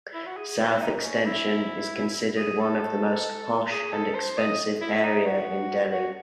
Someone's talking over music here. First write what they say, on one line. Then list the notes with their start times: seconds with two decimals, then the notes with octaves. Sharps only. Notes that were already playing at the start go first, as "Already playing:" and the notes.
South Extension is considered one of the most posh and expensive area in Delhi.
0.14 E4
0.26 F#4
0.37 G#4
0.48 G#4
0.59 F#4
0.70 E4
0.81 D#4
1.03 C#4
1.25 E4
2.37 G#4
2.59 A4
3.71 G#4
3.92 A4
4.15 C5
4.37 D#5
4.81 E4
5.04 D#4
5.26 F#4
5.92 F#4